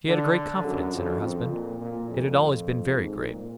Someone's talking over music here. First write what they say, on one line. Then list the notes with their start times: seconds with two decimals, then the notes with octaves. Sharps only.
She had a great confidence in her husband; it had always been very great.
0.08 D3
0.65 F#2
0.94 F2
1.22 F2
1.52 A#2
1.80 A#2
2.08 F2
2.95 G#2
3.24 A#2